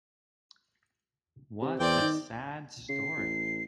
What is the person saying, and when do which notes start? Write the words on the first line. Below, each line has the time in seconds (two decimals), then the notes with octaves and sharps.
What a sad story.
1.62 C3
1.80 E2 C4 D5 G5
2.01 D#3
2.89 C#3 C7
3.17 A1